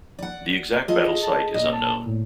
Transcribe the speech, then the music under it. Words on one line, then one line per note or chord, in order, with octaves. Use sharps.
The exact battle site is unknown.
D5 F#5
F4 G#4 A4 D#5
A5
A#2 D#5
A5
A2